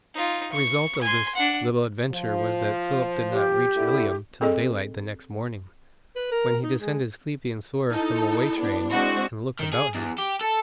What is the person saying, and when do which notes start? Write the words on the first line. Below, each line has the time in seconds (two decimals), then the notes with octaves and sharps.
The result of this little adventure was that Philip did not reach Ilium till daylight the next morning, when he descended sleepy and sore, from a way train, and looked about him.
0.14 D#4 F4
0.52 C#6
1.01 G#5 C6
1.35 D4 F#5
2.12 F3
3.32 G4
3.76 D3 A3 E4
4.41 C4 G#4 A4 D#5
6.15 B4
6.32 A#4
6.63 D#4
6.81 G#3
7.92 D#4 E4 A4
8.58 B3 D4
8.91 G#3 C4 D4 F#4
9.59 D#3
9.73 G#4
9.95 E2
10.18 G4
10.41 A4